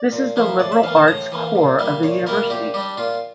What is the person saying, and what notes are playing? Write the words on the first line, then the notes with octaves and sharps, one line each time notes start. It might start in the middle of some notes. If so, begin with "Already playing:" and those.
This is the liberal arts core of the university.
Already playing: D5
A#2
F3 A#3 E4
A2 D5
E5
E3 A#3 F5
A5
A2 A#5
E3 A#3
A#2
G3 A#3 E4
A#2 C#5
G3 A#3 E4 A#4
A#2 G4
G3 D4 G4
A#2 F4